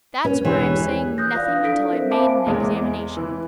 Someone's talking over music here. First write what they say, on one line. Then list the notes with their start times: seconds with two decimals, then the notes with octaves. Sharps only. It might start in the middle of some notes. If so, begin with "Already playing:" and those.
That's why I'm saying nothing until I've made an examination.
0.25 C#4 B4
0.45 E1 E3 G4 C#5
1.18 D#6 F#6 G6 A#6
1.34 F4 B4 D5 F5
1.48 D4
1.63 E4 A4 B6 D7
1.92 C4 A#4 C5 E5
2.11 F5 G#5 A5 B5 D6 D7
2.46 E2 G#3
3.17 E3